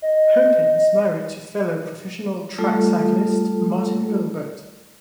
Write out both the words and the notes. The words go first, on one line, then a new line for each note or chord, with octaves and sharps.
Hupin is married to fellow professional track cyclist Martin Gilbert.
D#5
G3 A3 F4 A4